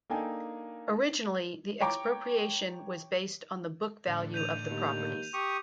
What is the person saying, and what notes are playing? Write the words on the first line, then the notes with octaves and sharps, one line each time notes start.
Originally, the expropriation was based on the book value of the properties.
A#3 D4 D#4 A4 G5 G#5
C#5 G5 A#5 D6
A2 D3
G6 D#7 F7
D#2
G4 C#6 D#6